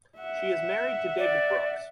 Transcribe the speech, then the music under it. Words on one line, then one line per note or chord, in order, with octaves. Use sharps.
She is married to David Brooks.
E5 F#5
D5